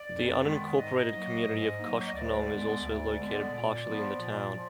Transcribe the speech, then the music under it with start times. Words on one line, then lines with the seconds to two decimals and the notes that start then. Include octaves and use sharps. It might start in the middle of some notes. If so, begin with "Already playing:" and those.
The unincorporated community of Koshkonong is also located partially in the town.
Already playing: D5
0.09 F2
0.43 D#3 G#3 B3
0.77 G#2 D#5
1.12 F#3 A#3
1.45 G#2
1.80 F#3 A#3
2.06 D#5
2.14 D2 D5
2.49 D3 G#3 B3
2.83 D2
3.17 D3 G#3 B3
3.51 A#2
3.86 F3 B3
4.19 A#2
4.54 F3